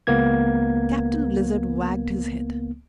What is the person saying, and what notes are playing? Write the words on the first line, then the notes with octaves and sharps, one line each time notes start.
Captain Blizzard wagged his head.
C#2 A#3 B3 G#6